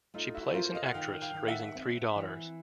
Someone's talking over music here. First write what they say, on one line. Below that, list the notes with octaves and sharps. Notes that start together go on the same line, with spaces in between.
She plays an actress raising three daughters.
A3 D#4 F4
E4 F#4
F4 A#4 C5
D#5 F5
F#5
D#3 F5 G5
F5 G5
D#3
E5 F#5
C4
E3